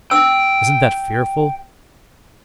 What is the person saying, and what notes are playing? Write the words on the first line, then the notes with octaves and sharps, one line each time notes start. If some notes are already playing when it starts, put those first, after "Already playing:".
Isn't that fearful?
G5 E6